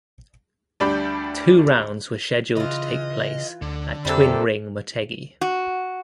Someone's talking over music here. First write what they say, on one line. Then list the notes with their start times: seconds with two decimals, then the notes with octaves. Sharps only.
Two rounds were scheduled to take place at Twin Ring Motegi.
0.80 D2 G3 D4 B5 G6
2.57 C#3 E3 F4 D#5
3.62 D2 D3
4.05 F2 C3 G3 D4 A4
5.41 F#4